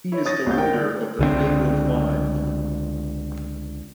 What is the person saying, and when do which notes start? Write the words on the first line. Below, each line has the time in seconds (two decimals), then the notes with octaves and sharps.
He is the leader of the Fatal Five.
0.12 E4 C#5
0.25 C#5 D#6 A6 A#6
0.46 C2 A#2 A3 C5 G6
0.58 A#4 G5
0.74 D3
1.19 C#2 D3 E3 C4